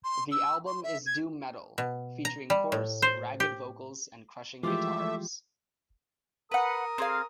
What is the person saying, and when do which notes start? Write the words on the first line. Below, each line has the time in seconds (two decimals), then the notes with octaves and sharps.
The album is doom metal featuring coarse, ragged vocals and crushing guitars.
0.04 C6
0.32 E6
0.66 C6
0.84 E5
1.06 G#6
1.78 B2
2.25 A#5
2.50 G3
2.72 A2
3.02 C5
3.40 G4
4.63 E3 F3 G#3 A3 F4 G4 E5 D6
6.51 A#4 B4 F#5 D#6
6.98 C4 G#4 F5